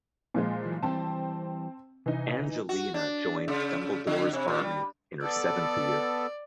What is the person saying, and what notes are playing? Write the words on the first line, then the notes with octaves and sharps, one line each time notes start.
Angelina joined Dumbledore's Army in her seventh year.
A#2 F3 G#3
E3 F#3
E3 G3 C4 C5 A5
C3 E3 D#4
F#4
D4
C#3
D3
C3
A#2
G3
B3 A4 D5